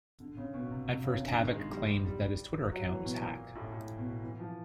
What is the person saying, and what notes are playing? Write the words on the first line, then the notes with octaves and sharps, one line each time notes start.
At first, Havoc claimed that his Twitter account was hacked.
D3
C#3
B2
C3
C3
C#3
D3
D#3
G#3
G3
G3
F#3
E3
B2
A#2
A2
A2
B2
E3
F3